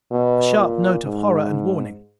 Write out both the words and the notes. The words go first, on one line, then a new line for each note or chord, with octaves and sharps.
A sharp note of horror and warning.
B2
A#2
G#2